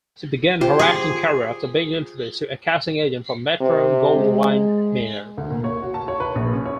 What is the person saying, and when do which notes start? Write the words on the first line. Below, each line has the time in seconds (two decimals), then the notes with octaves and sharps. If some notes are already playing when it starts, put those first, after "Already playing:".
She began her acting career after being introduced to a casting agent from Metro-Goldwyn-Mayer.
0.61 F4 G4 C5
0.79 G#4
3.61 C3
4.15 G#3
5.38 D2
5.51 A#2
5.64 C#5
5.82 F#4
5.94 A5
6.08 C#5
6.20 B4
6.35 A#1
6.53 C#4
6.66 C#5